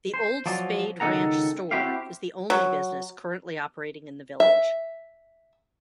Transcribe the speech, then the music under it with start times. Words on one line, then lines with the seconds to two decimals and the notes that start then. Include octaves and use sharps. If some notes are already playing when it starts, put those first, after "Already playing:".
The Old Spade Ranch Store is the only business currently operating in the village.
0.14 C5
0.46 F3 F#3 D5
1.00 C#2 D#3 D#4 A4 F#5 A#5
1.71 C4 E4 F#4 G4 C5 F5
2.50 F#3
4.40 E5